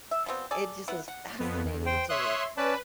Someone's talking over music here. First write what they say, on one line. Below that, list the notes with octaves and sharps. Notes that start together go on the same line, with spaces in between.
it just was fascinating to me.
E5
F3 G3 B3 C4
G#4 A4 D5
B3 E4 B4 F#5
F#5
F2 B3
E2
C5 G5
C#5 E5 C6 D#6 F#6
C#4 B4 D5 A5